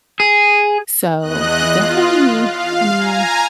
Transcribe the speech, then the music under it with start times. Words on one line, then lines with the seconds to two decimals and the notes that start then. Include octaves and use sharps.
So, definitely, I mean
0.20 G#4
1.19 E2 D#5 F#6
1.70 F4
2.42 F5
2.96 G#5 A#5